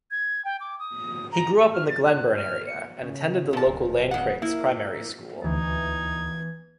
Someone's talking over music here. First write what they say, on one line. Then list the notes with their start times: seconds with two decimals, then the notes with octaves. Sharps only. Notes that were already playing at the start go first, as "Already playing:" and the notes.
He grew up in the Glenburn area and attended the local Lancraigs Primary School.
0.11 G#6
0.45 G5
0.60 D6
0.79 D#6
1.32 A#5
1.60 E6
1.73 F6
1.89 A6
2.04 F#6
2.35 F6
2.67 C#7
3.03 C#3
3.53 A#2 A5
3.66 D1
4.11 C#3 F#5
4.42 A#3 E4
5.44 D2 E3 D#4 G#6